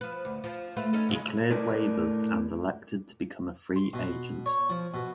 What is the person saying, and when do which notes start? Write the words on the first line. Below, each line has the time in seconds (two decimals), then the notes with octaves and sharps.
He cleared waivers and elected to become a free agent.
0.01 F3 B4
0.25 D2
0.44 F3
0.77 A3 F4 B4
0.93 C#4 D#4 A4
1.09 C#3 E3 G#3
1.51 A2 D4 A#4 B4
3.76 C6
3.94 B2
4.46 C#5
4.70 F3
4.94 B2